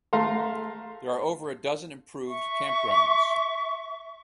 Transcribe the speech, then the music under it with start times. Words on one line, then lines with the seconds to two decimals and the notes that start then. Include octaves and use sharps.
There are over a dozen improved campgrounds.
0.13 A3 F5 A#5 C6
2.27 E5 C#6